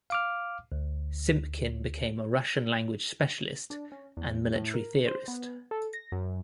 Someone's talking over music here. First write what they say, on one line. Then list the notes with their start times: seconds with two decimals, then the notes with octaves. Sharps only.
Simpkin became a Russian language specialist and military theorist.
0.10 F5 D6 F6
0.72 D2
3.70 D4
3.92 C#4
4.17 E2
4.56 A2
4.74 A#4
5.08 C5
5.28 B3
5.71 A4
5.93 A#6
6.12 F#2